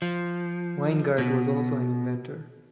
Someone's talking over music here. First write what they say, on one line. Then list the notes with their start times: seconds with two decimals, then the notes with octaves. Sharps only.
Weingart was also an inventor.
0.02 F3
1.18 B2